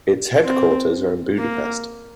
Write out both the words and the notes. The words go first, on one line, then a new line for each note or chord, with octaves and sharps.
Its headquarters are in Budapest.
C4
A#3